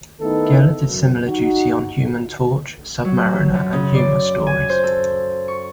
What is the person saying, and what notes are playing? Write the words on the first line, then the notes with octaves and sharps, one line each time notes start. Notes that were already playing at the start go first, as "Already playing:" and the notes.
Giella did similar duty on Human Torch, Sub-Mariner, and humor stories.
D#3 A3 B3 D#4 E4 A4
F#2
D#4 F#4
F#3
F#2
C#3
D5
G#5
C5
A4
C#6